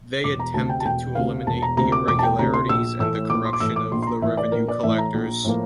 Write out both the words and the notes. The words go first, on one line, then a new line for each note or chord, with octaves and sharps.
They attempted to eliminate the irregularities and the corruption of the revenue collectors.
E1 D6
A#5
D2 C3 A5
G5
A5
E1 G5
D2 C3 F5
E1 A5
A#5
D2 C3 A#5
D6
E1 D6
A5
G5
D2 C3 A#5
C6
A#1 E6
A2 E3 A3 E6
A#1 D6
C6
D6
A2 E3 A3 E6
D6
A#1 C6
C6
A#5
A2 E3 A3 E5
D5
A#1 A#4
D5
A2 E3 A3 E5
A#5
A#1
A2 F3 A#3